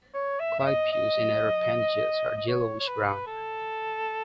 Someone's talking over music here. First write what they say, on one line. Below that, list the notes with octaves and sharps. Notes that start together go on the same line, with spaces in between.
Clypeus and other appendages are yellowish brown.
C#5
E5
E5
D#5
D#5
D#5
C#5
C#5
B4
A4